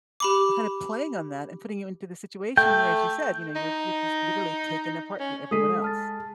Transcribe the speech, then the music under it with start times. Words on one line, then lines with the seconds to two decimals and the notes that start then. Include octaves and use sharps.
kind of playing on that and putting you into the situation where- as you said- you know, you're you're just, literally, taken apart from everyone else.
0.20 G4 B5 D6
2.57 A3 G5
3.56 D#4
5.20 C#4
5.51 G#3 A4 D#6 B6 C7 D#7
5.82 A5 F6 A6